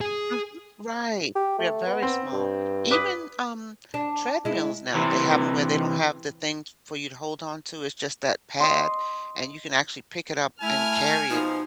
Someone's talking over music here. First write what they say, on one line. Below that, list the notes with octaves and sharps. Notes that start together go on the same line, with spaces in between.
Mhm. Right. They're very small. Even, um, treadmills now, they have 'em where they don't have the thing for you to hold onto it's, just, that pad, and you can actually pick it up and carry it,
G#4
G4
A3
B3
C4
G2
B4 D6 D#6
D4
G#3 E4
C3 E3
D#5 C6
A3 E4 G#5 F6
B2 F3 D#4 G#4